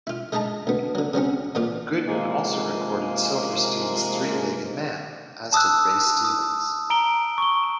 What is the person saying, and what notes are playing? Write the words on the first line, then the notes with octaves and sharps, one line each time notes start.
Goodman also recorded Silverstein's "Three-Legged Man", as did Ray Stevens.
E4 F4
G#3 D#4 D#5 A5 A#5
D2 B3
D3 F#3
C#3 F#3 C4 C#4
E2 A#2 F4 D5
C3 F3 G#3 A#3
A5 D#6 E6 F#6
D#6
A#5 D7 G7
C#6 G7